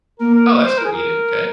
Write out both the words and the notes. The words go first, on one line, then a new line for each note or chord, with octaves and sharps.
Oh, that's convenient, okay.
A#3 A#4
A#4
C5
A#4
G#4
A#4